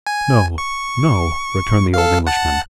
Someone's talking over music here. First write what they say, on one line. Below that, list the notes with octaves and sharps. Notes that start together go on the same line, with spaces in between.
"No--no," returned the old Englishman.
G#5
C#6
A4 F5
F#5 A5 F#6